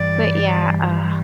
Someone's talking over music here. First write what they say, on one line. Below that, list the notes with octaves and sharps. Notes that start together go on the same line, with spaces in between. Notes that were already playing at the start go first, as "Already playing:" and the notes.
But yeah, uh
Already playing: G2 E3 G3 D5